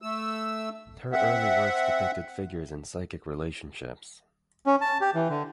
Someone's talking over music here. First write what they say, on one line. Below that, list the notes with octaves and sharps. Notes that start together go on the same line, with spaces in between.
Her early works depicted figures in psychic relationships.
A3 E6
C4 E5 F#5
C#4
A5
G4
E3
D3